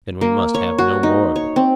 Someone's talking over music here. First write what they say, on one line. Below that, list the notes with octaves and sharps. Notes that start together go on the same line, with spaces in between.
Then we must have no more of them.
A#3
C#5
F#4
D#4
C#5
C4